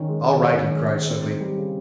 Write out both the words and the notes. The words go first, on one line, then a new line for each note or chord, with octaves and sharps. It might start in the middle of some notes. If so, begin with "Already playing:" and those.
"All right!" he cried suddenly.
Already playing: D#3 C#4
G#3
D#3
C#4
D#3
G#3
D#3
C4
D#4
G3
C#3